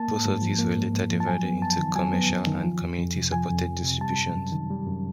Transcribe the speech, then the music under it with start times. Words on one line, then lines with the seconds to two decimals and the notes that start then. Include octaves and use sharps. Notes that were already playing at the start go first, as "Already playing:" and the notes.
Both of these were later divided into commercial and community-supported distributions.
Already playing: A#3 A5
0.08 G#2
0.25 G#2
0.42 F3
0.59 A#3
0.76 G#2
0.93 G#2
1.10 F3
1.20 A5
1.27 F#3 G#5
1.44 B3
1.61 F#2 A5
1.79 D#3
1.96 F#3 G#5
2.13 B3
2.30 F#2
2.47 D#3
2.64 F3
2.81 F2
2.99 F2
3.16 C3
3.32 F3 G#5
3.50 F2
3.67 F2
3.84 C3
4.01 G3 A5
4.18 F#2
4.36 F#2
4.52 D#3
4.70 G3
4.87 F#2